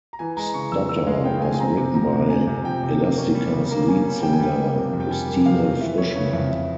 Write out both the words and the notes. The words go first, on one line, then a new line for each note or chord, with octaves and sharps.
"Stutter" was written by Elastica's lead singer, Justine Frischmann.
A#5
E3 G#5
G#3 A#5
C#3 C#6
F2 E6
E3 E6
G#3 F5
C#3 G5
F2 G#5
G#5
C4 A#5
C3
F3 A#5
C3
C4 G#5
C3
F3 G5
C3
A#3
C#4
G3
C#3
A#3 A#5
C#4 G#5
G3
C#3 G5
G#5
G3 G5
A#3
C3
F2
G5
G3 G#5
A#3
C3 F5
F2
E3 E5
F2 C#5
C#3 C#5
F2 E5
E3 E5